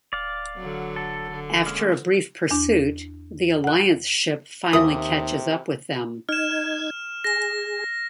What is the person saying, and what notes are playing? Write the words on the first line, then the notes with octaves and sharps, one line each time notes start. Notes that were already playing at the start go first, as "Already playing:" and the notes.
After a brief pursuit, the Alliance ship finally catches up with them.
D1 D5 F5
D3 F#3
A4
D3
G#3 A#3 C#4
E2 D4
F#5 F#6
D#2 C3 A#4 E5 G#5 D#6
D#4 F6 G#6 E7
G#4 A#6